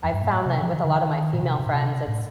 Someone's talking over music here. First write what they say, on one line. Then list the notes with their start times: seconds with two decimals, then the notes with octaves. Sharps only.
I've found that with a lot of my female friends, it's
0.04 F2
0.14 G2
0.22 A#2
0.30 A2
0.46 C3
0.62 F3
0.73 D#3
0.84 D3
0.95 D#3
1.33 A#2
1.43 C3
1.59 C3
1.66 A#2
1.74 C3
2.08 A2